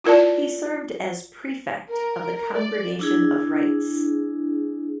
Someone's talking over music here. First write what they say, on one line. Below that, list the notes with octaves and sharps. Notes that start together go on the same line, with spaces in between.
He served as Prefect of the Congregation of Rites.
E4 F4 A#4 D5 A5
A#4
D5
D4 E4 G#4